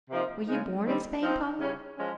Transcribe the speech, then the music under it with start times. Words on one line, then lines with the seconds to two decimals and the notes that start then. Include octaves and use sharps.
"Were you born in Spain, Pablo?"
0.09 C3 F3 A#3 D#4
0.46 C#3 G#3 D#4
0.85 D#3 G3 C4
1.22 F3 C4 D#4
1.59 C#3 G3 C#4
1.97 F3 G#3 C#4